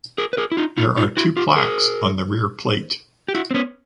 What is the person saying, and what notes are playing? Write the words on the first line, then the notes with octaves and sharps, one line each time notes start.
There are two plaques on the rear plate.
G#4 A#4
B4
G#4 A#4
E4
D#4 F4
D#4 F4
D#4 F4
E4 F#4
F4 G4
G#4 A#4
G4
E4 F#4
C4
B3 C#4